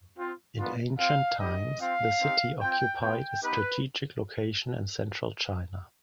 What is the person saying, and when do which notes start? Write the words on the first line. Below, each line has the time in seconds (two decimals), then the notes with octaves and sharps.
In ancient times, the city occupied a strategic location in central China.
0.17 C4 F4
0.58 B3 D4 F4
0.98 C4 F4 F5
1.39 G3 B3 D#4 G4 D#5
1.80 C4 F4 F5
2.20 C4 D#4 G4
2.61 C4 F4 G5
3.01 B3 F4 G5
3.42 B3 D#4 G4 B4